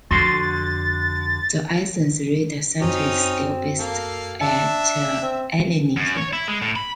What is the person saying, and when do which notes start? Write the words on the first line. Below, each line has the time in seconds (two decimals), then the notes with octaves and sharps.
The Athens radar center is still based at Ellinikon.
0.11 F2 D3 F#4 C6 A6
2.81 F#2 C4 C#4 D#4 F#4
3.79 A#3 A4 F5
4.41 D4 E5 A5
5.22 C4
5.97 F#2
6.17 C#5
6.33 E4
6.48 G#3
6.62 A2
6.76 B5